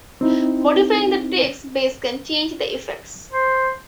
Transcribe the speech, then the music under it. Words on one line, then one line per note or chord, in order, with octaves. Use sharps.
Modifying the tax base can change the effects.
C4 D#4 E4
C5